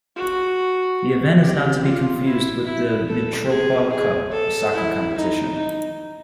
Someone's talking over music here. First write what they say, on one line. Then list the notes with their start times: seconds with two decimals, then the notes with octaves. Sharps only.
The event is not to be confused with the Mitropa Cup, a soccer competition.
0.16 F#4
1.42 G4
1.83 F4
2.25 E4
2.65 E4
3.07 A4
3.49 G#4
3.90 G#4
4.31 A4
4.74 E4
5.15 D#4
5.57 D#4